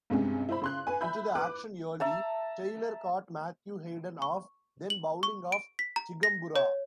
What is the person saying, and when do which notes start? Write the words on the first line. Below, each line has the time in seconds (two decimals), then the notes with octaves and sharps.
Into the action early, Taylor caught Matthew Hayden off then bowling of Chigumbura.
0.10 G2 C3 G#3 C#4
0.49 E4 C5 B5
0.62 C#3 C6 F#6
0.87 B4 G#5
1.01 E5 B5 G6
1.35 B4 D6 F#6
2.00 E5 A5 A#5
4.22 C#6
4.90 F#7
5.23 C#6
5.52 D7
5.79 B6
5.96 A#5
6.23 A#6
6.56 C#5